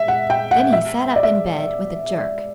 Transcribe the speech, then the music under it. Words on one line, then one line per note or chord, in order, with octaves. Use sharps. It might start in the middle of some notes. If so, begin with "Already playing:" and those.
Then he sat up in bed with a jerk.
Already playing: E5
F#5
G5
F#5
E5
D5
E5